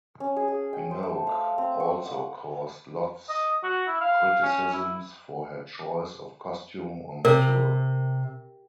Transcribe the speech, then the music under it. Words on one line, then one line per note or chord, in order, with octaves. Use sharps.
Minogue also caused lots criticisms for her choice of costume on the tour.
C#4
G#4
G#4
G5
C5
A3
F5
C4
C#6
F#5
D#5
F#4
E4
F5
C#4
E4
C3 A#4